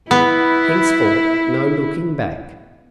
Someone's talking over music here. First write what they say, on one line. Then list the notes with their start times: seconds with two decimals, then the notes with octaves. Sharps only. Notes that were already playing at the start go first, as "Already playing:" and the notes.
Henceforth no looking back.
0.11 B3 E4